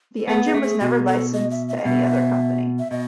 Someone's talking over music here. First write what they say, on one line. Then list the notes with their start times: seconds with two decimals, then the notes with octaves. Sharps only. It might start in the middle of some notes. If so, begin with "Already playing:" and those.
The engine was never licensed to any other company.
0.17 A4
0.28 B3 G#4
0.46 G#4
0.54 A3
0.63 G#4
0.80 B2 F#4
1.07 A4
1.33 D#5
1.51 E5
1.68 E5
1.78 D#5
1.85 B2 E5
2.79 E5
2.91 B2 D#5